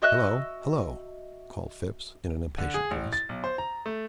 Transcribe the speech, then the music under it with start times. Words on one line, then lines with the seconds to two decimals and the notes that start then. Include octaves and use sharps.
"Hello, hello!" called Phipps in an impatient voice.
0.02 F#4 D#5 E5 F#6
2.58 D3
2.74 G#4
2.91 A1
3.13 A6
3.29 B1
3.44 C5
3.58 A#5
3.86 A3